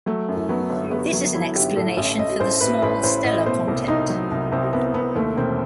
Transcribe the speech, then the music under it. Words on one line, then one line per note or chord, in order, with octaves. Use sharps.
This is an explanation for the small stellar content.
F#3 A3
F#2
F#3 B3
G1
G1 B3
F#3
F#3 E4
G1 G4
A2 A4
A1 E5
A1 D#5
A1 C5
A2 B4
A1 B4
A1 C5
A2 D#5
B2 C5
C2
C2 D#4
F#3
C2
C2 C4
C2 B3
C2 B3
D#2 A3
E1 C4